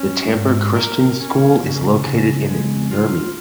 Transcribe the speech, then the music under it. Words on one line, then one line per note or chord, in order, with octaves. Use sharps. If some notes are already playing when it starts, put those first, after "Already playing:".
The Tampere Christian School is located in Nurmi.
Already playing: C#4
G#2
A#4
C#4
C#3
C#3
G#3
F4